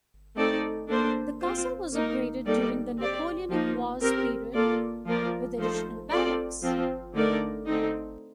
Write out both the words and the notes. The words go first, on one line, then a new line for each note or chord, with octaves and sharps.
The Castle was upgraded during the Napoleonic Wars period, with additional barracks.
A3 C4 D#4 A4 D5
A#3 D4 A4 C5
C4 F4 C5
A#3 D#4 A#4
G3 A#3 D#4 A4 D5
C4 G4 D5
F3 A#3 D#4
C4 G4 A#4
A#3 F4 A4 D5
F3 A#3 F4 A#4 D5
F3 A3 D#4 A4 C5
C4 F4 A4 D5
F3 C4 F4
D3 A3 D#4 A#4 D5
D3 A3 C4 D#4